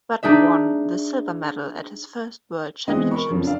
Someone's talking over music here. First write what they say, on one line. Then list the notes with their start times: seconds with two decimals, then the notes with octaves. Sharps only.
Button won the silver medal at his first World Championships.
0.23 D4 D#4 G#4 E5
2.88 E3 G#3 B3 C4 D#5
3.11 A#4 B5 C#6
3.30 F2 C#3 F3
3.44 D4 F5